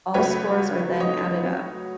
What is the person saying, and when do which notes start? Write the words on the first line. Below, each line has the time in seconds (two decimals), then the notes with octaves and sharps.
All scores are then added up.
0.14 C#2 C#3 F#3 A3 B4 C#5
1.00 C#5 D#5